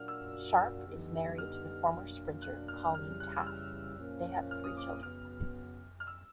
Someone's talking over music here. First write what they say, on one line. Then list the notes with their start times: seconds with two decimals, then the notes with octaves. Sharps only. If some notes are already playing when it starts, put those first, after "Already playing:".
Sharpe is married to former sprinter Colene Taffe, they have three children.
Already playing: A#2 F#3 A#3 D4 F#4 F6
0.08 E6
0.86 D3 G3 B3 D#4 G4
1.38 F6
1.90 B2 F#3 A#3 D4
2.42 F#6
2.68 F6
2.95 C#3 E3 G3 F6
3.20 F#6
3.40 E6
3.47 F6
3.98 A#2 F3 A#3 C#4
4.51 F6
4.64 D#6
4.77 D6
5.03 C#3 F#3 B3 F6
6.00 F6
6.07 E6